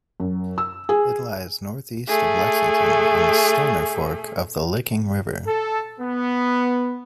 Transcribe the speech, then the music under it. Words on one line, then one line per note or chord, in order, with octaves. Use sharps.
It lies northeast of Lexington on the Stoner Fork of the Licking River.
F#2
E6
G#4
A3 G#4
A4
B3